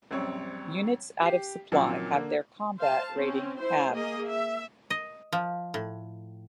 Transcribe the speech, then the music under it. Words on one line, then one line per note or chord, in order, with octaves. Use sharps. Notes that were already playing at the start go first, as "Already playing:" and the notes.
Units out of supply have their combat rating halved.
A#1 F#2 G3 C4 C#5
G4 C7
F#2 A#2 D#3 F3 F#3 C4
D3 A#3
C5 F5 A5
C4 C#4
E4 C5
A#3 G#4 D#5
E5
D#5
F3
A2